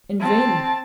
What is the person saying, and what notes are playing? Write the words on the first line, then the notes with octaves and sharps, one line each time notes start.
In vain!
C4 A5